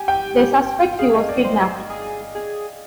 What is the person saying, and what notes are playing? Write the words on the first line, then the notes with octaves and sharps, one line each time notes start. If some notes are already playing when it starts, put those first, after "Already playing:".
They suspect he was kidnapped.
Already playing: G4 G#5
G5
G#4 F5
D#5
D5
C5
G#4
G#4